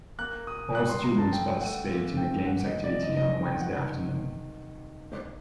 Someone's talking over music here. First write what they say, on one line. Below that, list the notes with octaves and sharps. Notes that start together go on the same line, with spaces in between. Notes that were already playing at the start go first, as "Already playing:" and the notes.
All students participate in a games activity on a Wednesday afternoon.
A#3 F#6
A#2 D#6
G3 F#6
C6
G3 A#5
A5
A3 G5
A3 F#5
A#2
A#2 G5
G2 F#5
D#5
G2
D5
F#2 D#5
D#5
D#3 D#5
G5
C3 F#5